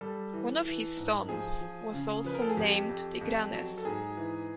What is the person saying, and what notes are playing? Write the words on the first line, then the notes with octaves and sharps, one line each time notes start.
One of his sons was also named Tigranes.
G3 A4
E3
E3
G#2
F3 G#4
F3
C#3
F3 B4
A#4
A4
G#4
F2 G4
F2
F2
F#3
A4
G#2 G#4
E3